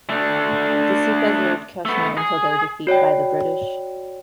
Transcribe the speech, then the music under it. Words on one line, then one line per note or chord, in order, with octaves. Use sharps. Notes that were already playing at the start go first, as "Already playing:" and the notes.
The Sikhs ruled Kashmir until their defeat by the British.
A3 D4
A3 B3
G#4
F#4 C#5 D5 G5